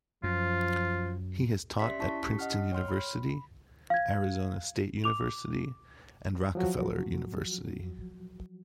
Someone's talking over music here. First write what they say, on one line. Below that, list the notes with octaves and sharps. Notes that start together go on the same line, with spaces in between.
He has taught at Princeton University, Arizona State University and Rockefeller University.
F#2 F3 F4
C#4 G4 D5 E5 C6 B6
C#4 E4 A5 C#6 B6
C#4 G4 A5 B6
D#5 F#5 F6
C#5 G5 C6 F6
B5
F5 G#6
D6 F7
F3 F#3 F#4